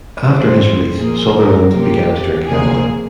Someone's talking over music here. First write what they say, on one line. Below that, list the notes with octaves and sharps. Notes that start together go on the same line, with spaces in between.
After his release Sutherland began to drink heavily.
E3 G3 C4 C5
A#2 F3 A#3 G#4
A#4
C3 F3 A#3 G4
C3 F3 A#3 G#4